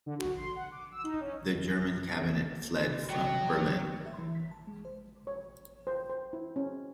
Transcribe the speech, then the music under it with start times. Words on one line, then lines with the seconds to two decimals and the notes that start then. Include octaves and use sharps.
The German cabinet fled from Berlin.
0.06 D3
0.18 F#4
0.37 C6
0.56 F#5
0.71 D6
0.92 E6
1.04 D#4
1.20 C#4
3.10 F#3 G5
4.06 E5
4.18 E3
4.35 B6
4.51 A5
4.67 G#3
4.85 C5
5.27 C#5
5.87 C5
6.10 C5
6.33 E4
6.56 C#4